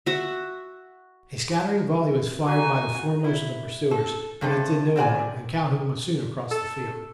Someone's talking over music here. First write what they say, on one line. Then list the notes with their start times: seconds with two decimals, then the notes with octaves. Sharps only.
A scattering volley was fired by the foremost of the pursuers, but it did no harm, and Calhoun was soon across the field.
0.06 F#4 E5
2.47 D#4 F4 F#4 G#5 A#5
3.24 E4
3.91 A4
4.41 G2 C3 A4
4.96 C4 D5 F#5 G#5
6.51 A4